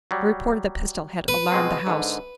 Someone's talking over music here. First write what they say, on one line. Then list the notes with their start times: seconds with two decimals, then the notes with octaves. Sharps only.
The report of the pistol had alarmed the house.
0.11 F#3 G3
1.28 B4
1.52 B2 G#3 C4
1.87 G#2 D3